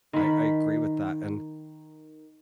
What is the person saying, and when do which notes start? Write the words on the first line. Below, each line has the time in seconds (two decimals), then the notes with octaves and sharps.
I I agree with that, and
0.13 D#3 B5